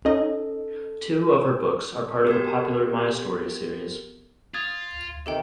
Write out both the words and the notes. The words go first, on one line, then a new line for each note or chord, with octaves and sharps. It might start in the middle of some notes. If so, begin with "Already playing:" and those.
Two of her books are part of the popular My Story series.
C#4 D#4 A4 D#5
B3 F#4 G4 A4 A#4 G#6
F4 D#6 G#6 A6
C3 D#3 G4 A4 G5